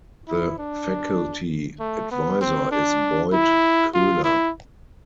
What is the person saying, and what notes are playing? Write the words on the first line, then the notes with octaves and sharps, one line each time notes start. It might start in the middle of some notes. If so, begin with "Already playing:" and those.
The faculty advisor is Boyd Koehler.
E4
D4
A3
B3
C4
D4
E4
F4
E4